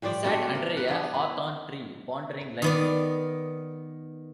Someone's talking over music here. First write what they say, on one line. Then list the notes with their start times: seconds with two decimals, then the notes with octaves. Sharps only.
He sat under a hawthorn tree, pondering life.
0.02 A2 G3 C5 D5
0.24 B2 A3 C4 D4
0.55 A#4
0.77 B4
0.88 B3 D4 G#4
1.14 E4
2.62 D#3 B3 D5